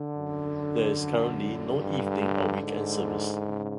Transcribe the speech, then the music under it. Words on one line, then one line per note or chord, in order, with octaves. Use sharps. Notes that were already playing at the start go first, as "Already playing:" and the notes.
There is currently no evening or weekend service.
Already playing: D3
F#2
G2 D3
G#2
C#3